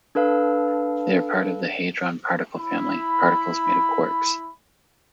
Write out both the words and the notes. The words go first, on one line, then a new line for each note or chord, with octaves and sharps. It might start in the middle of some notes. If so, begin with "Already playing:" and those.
They are part of the hadron particle family - particles made of quarks.
D4 A4 B4 F5
E4 B5